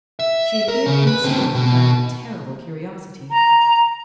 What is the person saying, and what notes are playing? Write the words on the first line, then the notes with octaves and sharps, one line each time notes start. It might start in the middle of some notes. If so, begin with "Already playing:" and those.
She appeared consumed by a terrible curiosity.
E5
A#4
C#3
B4
D3 C4
B2
A#5